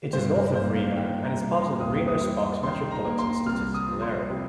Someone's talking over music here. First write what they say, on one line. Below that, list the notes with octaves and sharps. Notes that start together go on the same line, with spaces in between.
It is north of Reno and is part of the Reno-Sparks Metropolitan Statistical Area.
G2 C5
A#4
A#3 C5
F5
D#3 G5
A#5
G2
C6
D#2 D#6
D#6
G3
D#3 C6
A#5
A#3
C6
C2 F6
D#6
F3
C6
C3